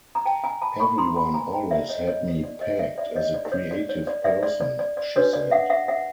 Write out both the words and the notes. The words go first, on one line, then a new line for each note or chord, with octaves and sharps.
"Everyone always had me pegged as a creative person," she said.
A#5
G5 A5
G#5 A#5
A5 B5
B5 C#6
A#5 C6
A5 B5
G#5 A#5
G5 A5
D5 E5
C#5 D#5
C#5 D#5
F4 A4 C#5
D5
C#5 D#5
D5 E5
D5 E5
C#5 D#5
D5
C#5
D5
C#5
D5
D5 E5
D5
D5
D5
D5
D4 F#4 B4 C#5
D5
E5 F#5
E5 F#5
E5 F#5